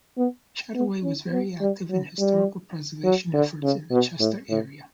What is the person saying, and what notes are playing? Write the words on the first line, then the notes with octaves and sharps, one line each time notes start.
Chataway was very active in historical preservation efforts in the Chester area.
B3
B3
C#4
B3
G3
F#3
G3
F#3
D3
C#3
B2
A2
A2